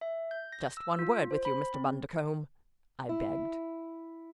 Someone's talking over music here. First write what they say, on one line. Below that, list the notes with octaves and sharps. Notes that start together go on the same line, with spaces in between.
"Just one word with you, Mr. Bundercombe," I begged.
E5
G6
A#6
E6
F4
C5
B5
C4
E4